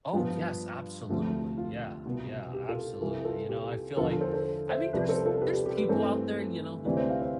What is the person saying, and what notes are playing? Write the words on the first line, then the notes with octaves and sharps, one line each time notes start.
Oh, yes, absolutely. Yeah. Yeah, absolutely. You know, I feel like, I mean, there's there's people out there, you know, who
G2 F3 B3 F4
D2 C3 F3 A3
F4
C2 B2 B3
G4
F4 A4
C2 C3 E3 F4 A4
F4 A4
G4
E2 D3 F3 F4 A4
F4
A4 C5
A4 C5
C5 E5
C2 C3 F3 B4 D5
A4 C5
F4 A4
G4 B4
G4
G4
G4 B4
G2 E3 A3 C4 A4 C5
D2 C3 E3 G3 C4 B4 D5
C5 E5
D5 F5
C5 E5